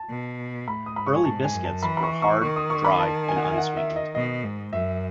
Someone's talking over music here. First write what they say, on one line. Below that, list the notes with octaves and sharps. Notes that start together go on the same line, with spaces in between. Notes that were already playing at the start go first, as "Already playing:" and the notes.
Early biscuits were hard, dry, and unsweetened.
Already playing: A5
B2
A2 B5
D#6
G#2 B5
C#6
G#5
G#2 A5
G#5
F#2
A5
E3 B5
B5
C#6
C#6
D#3 C#6
D#6
C#6
B5
A5
G#5
F#5
G#5
E5
F#5
E5
D#5
B2 D#5
G#2
F#2 E5